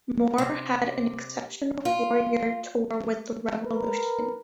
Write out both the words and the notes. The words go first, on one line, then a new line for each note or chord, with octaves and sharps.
Moore had an exceptional four-year tour with the Revolution.
C3
F4
A#4 B4